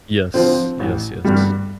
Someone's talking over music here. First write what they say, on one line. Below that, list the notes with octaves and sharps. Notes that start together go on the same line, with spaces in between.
Yes, yes, yes.
D3 F3 C4
A1
G2 D3 G3